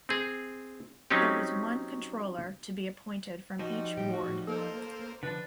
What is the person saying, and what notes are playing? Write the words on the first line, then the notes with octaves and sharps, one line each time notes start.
There was one Controller to be appointed from each ward.
C4 G#4
F#3 C4 C#4 D#4 G4
F3 G3 D#4 F#4
A2 G4
F#4
A#3 A4 A#4 C5
D3 F3 D4 B4